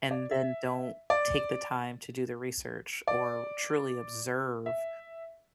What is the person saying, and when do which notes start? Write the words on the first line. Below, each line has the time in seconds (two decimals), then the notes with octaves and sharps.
and then don't take the time to do the research or truly observe
0.11 D5
0.31 E5
1.10 D5
3.08 D5
4.66 E5